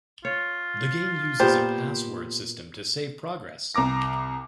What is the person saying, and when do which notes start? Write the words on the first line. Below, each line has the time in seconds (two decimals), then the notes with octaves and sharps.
The game uses a password system to save progress.
0.25 F4 C#5
1.40 A#2 B3 G4 C5
3.75 C2 A#5 D6 A#6